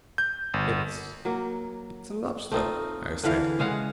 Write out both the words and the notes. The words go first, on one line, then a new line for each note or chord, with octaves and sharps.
"It's--it's a lobster," I said.
G6
G1
F#3 A#3
A3 C4 D#4 F4
D3 E3 F5
C#3 G#3 F5 F#5